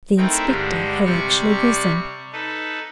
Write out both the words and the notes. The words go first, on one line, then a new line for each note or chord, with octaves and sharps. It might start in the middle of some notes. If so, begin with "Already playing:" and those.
The inspector had actually risen.
A3 C4 D#4 E4 A#4 G5
G2 D3 G3 G#3
C3 G3 D5 C#6
D#4 A4 B4